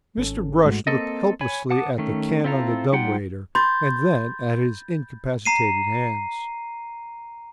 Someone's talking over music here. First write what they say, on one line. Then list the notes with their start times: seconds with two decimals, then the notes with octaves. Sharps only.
Mr. Brush looked helplessly at the can on the dumb-waiter and then at his incapacitated hands.
0.17 G#1 C#4 A4
0.65 G#2 G#3 A3 F#4
0.87 A#3 C4 A4 D#5
1.41 C#5 G#5 B5
1.70 F#5 A5 D6 D#6
1.98 D#3 A3 C#4
2.44 C4 E4 F4 A4 A#5
2.92 G3 D#4 F4 F#5 G5
3.55 B5 C6 G6 A6
5.45 A#5 C7 D#7